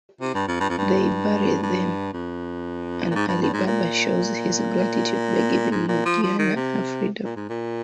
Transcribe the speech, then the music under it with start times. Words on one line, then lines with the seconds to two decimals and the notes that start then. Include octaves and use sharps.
They bury them, and Ali Baba shows his gratitude by giving Morgiana her freedom.
0.21 C3
0.34 G2
0.48 F2
0.60 G2
0.69 F2
0.78 G2
1.63 G2
2.13 F2
3.11 A#2
3.15 G#2
3.28 G2
3.42 G2
3.53 G#2
3.67 A#2
5.71 G#2
5.88 A#2
6.06 F3
6.23 F3
6.39 D#3
6.56 C3
7.25 A#2
7.36 G#2
7.49 A#2